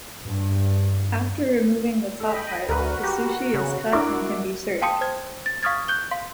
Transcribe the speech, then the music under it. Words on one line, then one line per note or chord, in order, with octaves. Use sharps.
After removing the top part, the sushi is cut and can be served.
G2
A4 D#5 G5 B5
D2 F#4 A#4 B4
G4
C#3
D4 E4 A#4 D6
F5 G5 A5 C6 D#6 C#7
C5 G#6
A6
F5 C#6 D#6 F6 G#6 A6
F#6 G6 G7
F5 C6